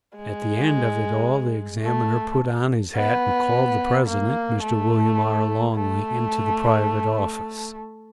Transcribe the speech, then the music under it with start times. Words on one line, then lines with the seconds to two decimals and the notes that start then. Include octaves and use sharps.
At the end of it all the examiner put on his hat, and called the president, Mr. William R. Longley, into the private office.
0.16 G#3
1.84 A3
2.95 B3
4.07 A#3
4.63 A3
5.75 A3